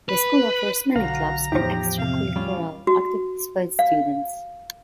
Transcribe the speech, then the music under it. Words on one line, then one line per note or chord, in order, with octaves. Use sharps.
The school offers many clubs and extracurricular activities for its students.
B4
B1 D3 F#4 F5 A#5
E2 A2 F3 D#4 G4 C5
C3 F5
G3 C#4 F4
F#4
F5